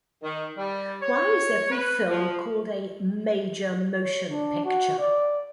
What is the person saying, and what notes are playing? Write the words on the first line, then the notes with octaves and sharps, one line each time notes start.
Why is every film called a "major motion picture?"
D#3
G3
C#5
B4
F3
C#5
D4
F#4
D5